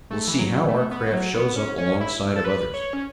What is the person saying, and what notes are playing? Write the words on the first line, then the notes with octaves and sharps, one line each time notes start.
We'll see how our craft shows up alongside of others.
A3
E3
F#3
A3
B3
A3
F#3
B3
C#4
C#4
E4
A4
B4
C#5
C#4